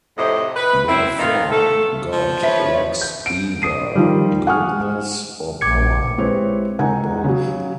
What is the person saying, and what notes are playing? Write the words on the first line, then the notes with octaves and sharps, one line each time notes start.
Therefore God lacks either goodness, or power, or both.
F2 A2 C3 D#5
B4
C4 E4
D#3 D#4 F4 B4 F5
A3 A4
F3
B4 C#5 E5
G6
D7
D#6 C7 D#7
D#3 F3 G3
F#5 G#5 C#6 D#6 F6
A#1 D6 G#6 C#7
G#3 C4 E4 G4 B4 C#5
C#2 D#4 F#5 G#5 G#6
C#3 F#3